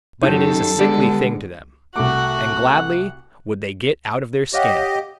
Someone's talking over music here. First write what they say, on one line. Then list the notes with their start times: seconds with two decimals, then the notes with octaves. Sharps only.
But it is a sickly thing to them, and gladly would they get out of their skin.
0.23 F#2 D#3 D#4 F#4 G4 A4
0.79 D3 G3 G#3 B3 D5
1.96 C2 A3 F#4 F#5 D6
4.53 G4 C#5 D#5 F5 F#5